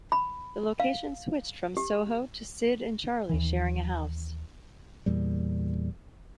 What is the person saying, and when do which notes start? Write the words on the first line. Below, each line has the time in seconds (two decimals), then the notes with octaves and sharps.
The location switched from Soho to Sid and Charlie sharing a house.
0.12 B5
0.80 F5
1.77 G4
3.29 D#2 E3
5.06 E2 A#2 G3